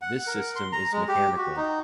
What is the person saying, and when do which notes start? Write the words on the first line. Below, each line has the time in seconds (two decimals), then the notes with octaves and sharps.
This system is mechanical.
0.02 F#5
0.27 A#4
0.56 C6
0.72 A#5
0.93 G#3
1.08 G4
1.37 F#4
1.56 D#4